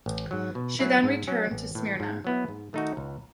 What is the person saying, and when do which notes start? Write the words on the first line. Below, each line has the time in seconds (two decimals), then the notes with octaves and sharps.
She then returned to Smyrna.
0.06 A1
0.31 G#2 F#3
0.55 B2
0.79 F#3 C#4 E4
1.03 G#2
1.28 F#3 C#4
1.51 A1
1.75 A2 E3
2.00 G#2
2.24 F#3 B3 E4
2.49 G#2
2.73 D#3 A3 D#4 F#4
2.97 C#2